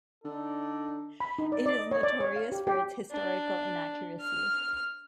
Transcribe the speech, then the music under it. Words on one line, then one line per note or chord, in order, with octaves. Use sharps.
It is notorious for its historical inaccuracy.
D3 D#4 A4 D5
B5
D#4
D5
D5
D#5
C#5
D5
C#5
F5
G4
G4
D4
F6